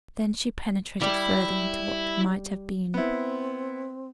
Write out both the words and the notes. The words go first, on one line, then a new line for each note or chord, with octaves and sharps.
Then she penetrated farther into what might have been.
G3 E4
B3 C4 E4